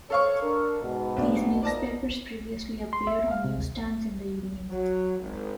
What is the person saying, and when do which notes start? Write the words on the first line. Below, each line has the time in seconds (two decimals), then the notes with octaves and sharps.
These newspapers previously appeared on newsstands in the evening.
0.10 A4 C#5 F5 C#6
0.42 D4 A#4
0.81 G#2 B2
1.16 B1 D4
1.63 A#2 D#4 D5 A5 A#6
2.93 C6
3.07 E5
3.31 F5
3.44 C3
3.58 D#2
4.69 F#3
5.19 G#1